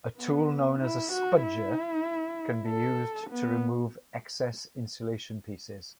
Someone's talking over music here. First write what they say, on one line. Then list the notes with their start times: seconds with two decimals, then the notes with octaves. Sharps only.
A tool known as a spudger can be used to remove excess insulation pieces.
0.18 B3
0.81 E4
1.12 F#4
1.43 E4
2.68 A4
3.31 B3